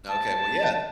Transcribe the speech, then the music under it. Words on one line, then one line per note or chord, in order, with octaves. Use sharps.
Okay, well, yeah,
A5